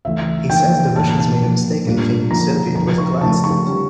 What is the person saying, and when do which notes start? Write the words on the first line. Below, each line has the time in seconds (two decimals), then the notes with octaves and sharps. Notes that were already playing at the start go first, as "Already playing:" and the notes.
He says the Russians made a mistake in thinking Serbia was a client state.
0.05 D2 C#3 E3 A3 E4 E5
0.50 C#3 E3 A#3 G5
0.95 A2 E3 A#3 A5
1.18 A5
1.41 A#2 F3 A#3
1.85 A2 G3 A#3 D4 F4
2.30 F2 D3 F3 A#3 A#5
2.75 C#2 C#3 F3 A#5
2.98 C#6
3.21 C#2 C#3 F3 A3 C#4 A5
3.44 C#6
3.66 D3 G3 C#4 G4